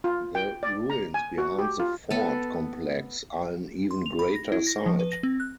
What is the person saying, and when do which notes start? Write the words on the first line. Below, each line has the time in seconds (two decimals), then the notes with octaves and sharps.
The ruins behind the fort complex are an even greater sight.
0.04 F4
0.35 G5
0.63 D5
0.90 A#5
1.14 G#5
1.38 F#4
1.59 G4
1.80 F4
2.11 B3 A4
3.91 C6
4.06 F7
4.19 B5
4.36 A#6
4.52 E4
4.67 A#6
4.86 F3
4.99 B4
5.12 A#6
5.23 C4
5.40 F#6